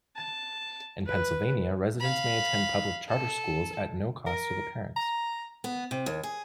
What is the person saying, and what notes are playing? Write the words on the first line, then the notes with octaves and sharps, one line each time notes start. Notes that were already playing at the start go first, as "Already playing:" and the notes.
In Pennsylvania residents may attend public charter schools at no cost to the parents.
A5
B4
F5 B5
A4
A#4
A#5
B3
C3
D#2
G#4